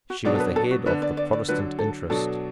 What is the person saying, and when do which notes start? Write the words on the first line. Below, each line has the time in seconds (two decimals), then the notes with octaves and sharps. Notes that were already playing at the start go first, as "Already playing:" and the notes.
She was the head of the Protestant interest.
0.10 F#4
0.25 B2 F#3 B3 D4 D5
0.35 A4
0.40 B4
0.56 A4
0.71 F#4
0.86 D3 B3 D4 B4
1.02 D5
1.17 D5
1.33 D5
1.48 D3 F#3 D4 B4
1.79 A4
2.10 B2 F#3 D4 A4